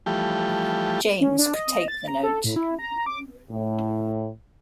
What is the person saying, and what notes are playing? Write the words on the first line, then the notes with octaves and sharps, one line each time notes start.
James could take the note.
E3 F3 G3 A3 G4
C#4
D4
D#5
A6
A#5
A4
A2
E4
A#5
D6
A2